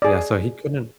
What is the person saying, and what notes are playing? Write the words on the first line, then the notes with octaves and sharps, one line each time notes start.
Yeah, so he couldn't
G#4 D5